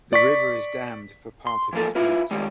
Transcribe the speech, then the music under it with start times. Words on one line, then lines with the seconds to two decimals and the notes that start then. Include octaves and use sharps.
The river is dammed for part of its route.
0.13 D5 C#6 B6
1.47 C6
1.73 E3 F3 A#3 A4
1.95 E4 F4 B4
2.31 D#3 G3 G#3